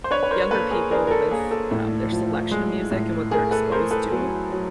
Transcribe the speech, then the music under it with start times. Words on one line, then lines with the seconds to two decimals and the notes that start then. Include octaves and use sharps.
younger people with, um, their selection of music and what they're exposed to?
0.04 C5
0.11 D4 B4 C#5
0.23 B4
0.31 A#4 C5
0.51 A#3 A4 B4
0.71 G#4 A#4
0.91 D4 G#4 A#4
1.07 A#4
1.11 A4
1.31 A#3 G#4
1.51 A4
1.71 A2
2.12 F3
2.51 G#3
2.91 A2
3.31 A3 G#4 A#4
3.51 A4 B4
3.71 A3 A#4 C5
3.91 A4 B4
4.11 F#3
4.52 F#3